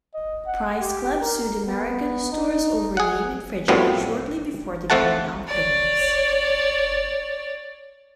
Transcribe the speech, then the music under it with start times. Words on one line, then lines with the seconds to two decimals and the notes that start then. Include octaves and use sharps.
Price Club sued American Stores over name infringement shortly before the grand openings.
0.15 D#5
0.47 F#5
0.81 G4
1.21 A#4
1.66 B3
2.32 D#4
2.97 G#4 F#5
3.68 F#2 A2 F3 G3 B3 C4
4.90 F2 F3 A3 F#5 A5
5.48 C#5 D5